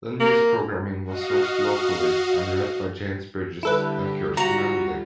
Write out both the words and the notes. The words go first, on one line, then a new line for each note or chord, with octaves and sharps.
The News programming was sourced locally and read by James Brydges and Kirsty Manley.
A#3
F#4 D#5 F5
D3 G3 E4 G4 A4 B4
G3 F4 F#4 A#5